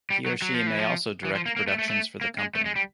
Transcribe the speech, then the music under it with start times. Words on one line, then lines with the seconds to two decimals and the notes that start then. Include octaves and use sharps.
He or she may also direct productions for the company.
0.10 G3
0.26 F#3
0.42 F#3
0.54 F3
0.67 E3
0.79 F3
1.25 E3
1.35 F3
1.46 A#3
1.57 A#3
1.68 A3
1.79 A3
1.89 A3
2.21 A#3
2.39 G#3
2.55 A3
2.65 G#3
2.76 G3